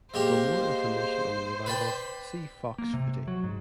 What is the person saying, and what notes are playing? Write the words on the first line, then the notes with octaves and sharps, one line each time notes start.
For more information on the revival see Fox Footy.
G#3 A#3 G4 C5
B4 D5 G5
A#3
C3
F#3
G#2